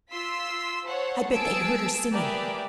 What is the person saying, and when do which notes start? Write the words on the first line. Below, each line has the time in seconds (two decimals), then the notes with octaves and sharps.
I bet they heard her singin'!
0.12 F4 C6 E6 B6
0.86 C5 C#5 F#5 A5
1.31 G#4 G#5 A5 E6 D7
2.12 G4 G#4 A#4 B4 D5 E5